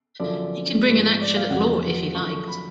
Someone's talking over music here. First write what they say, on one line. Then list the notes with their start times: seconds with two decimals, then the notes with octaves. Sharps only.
He can bring an action at law if he likes.
0.20 F#2 D3 F3 D5
0.84 G#2 F3 G#3
1.22 D5
1.36 F5
1.50 F1 F2 C#3 F#3 C#4 F#5
2.15 F#2 D3 F3 A3 C#6
2.31 C#6
2.48 B5